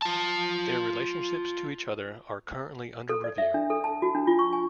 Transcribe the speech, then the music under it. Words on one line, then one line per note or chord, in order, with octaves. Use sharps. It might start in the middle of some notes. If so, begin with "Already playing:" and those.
Their relationships to each other are currently under review.
F4 A5
A4
D5
E5
D4
A4
A5
F#4
D4
F4
C#6
G#5